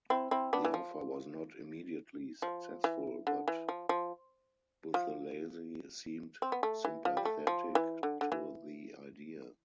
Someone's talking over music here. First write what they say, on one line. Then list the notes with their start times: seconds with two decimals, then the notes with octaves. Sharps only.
The offer was not immediately successful, but Buthelezi seemed sympathetic to the idea.
0.10 C4 E4
0.31 C4 E4
0.53 B3 D4
0.65 E3
0.74 F3
2.42 F3
2.84 E3
3.27 D3
3.48 E3
3.69 F3
3.89 F3
4.94 F3
6.42 C4
6.52 B3
6.63 A3
6.85 E3
7.05 F3
7.17 G3
7.25 A3
7.47 F3
7.75 E3
8.03 D3
8.21 D3
8.32 E3